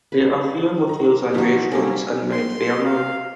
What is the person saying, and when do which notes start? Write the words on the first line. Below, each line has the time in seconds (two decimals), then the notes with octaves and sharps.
There are a few motels and restaurants in Mount Vernon.
0.12 B4
0.89 A#5
1.34 E3 F3 D#4 F#4 G4
1.72 G3 A#3 C#4 A4
2.32 C6
2.85 F5